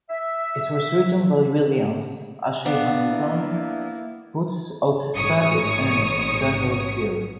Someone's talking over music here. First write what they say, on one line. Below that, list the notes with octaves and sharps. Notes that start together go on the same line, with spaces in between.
It was written by Williams, Ashley Hamilton, Boots Ottestad and Daniel Pierre.
E5
B3 D4 F5
A#3 E4
A1 G#2 C#5 D#6 C#7